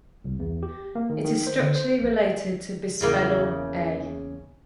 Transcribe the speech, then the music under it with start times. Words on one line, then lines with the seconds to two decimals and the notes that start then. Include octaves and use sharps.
It is structurally related to bisphenol A.
0.24 C2
0.39 E2
0.63 G4
0.95 A#3
1.10 D#3
1.24 D#3
1.47 C5
1.60 D3
1.75 C5
2.01 A#1
3.01 E2 C#3 A#3